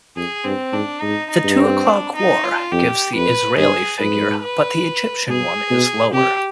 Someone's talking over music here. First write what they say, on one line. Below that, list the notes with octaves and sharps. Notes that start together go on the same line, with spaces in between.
"The Two O'Clock War" gives the Israeli figure but the Egyptian one is lower.
F2 G#4
G2 C4
G#2 D4
G#2 D#4
D#4
G2
C4
D4
D#4
F4
F2 G4
F2 B4
G2 G#4
G#2 B4
B4
B2 G#4
B2
C3 G4